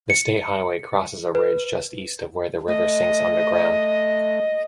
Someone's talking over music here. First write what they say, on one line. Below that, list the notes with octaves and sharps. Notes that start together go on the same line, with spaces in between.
The state highway crosses a ridge just east of where the river sinks underground.
C#7
B4
A3 D#5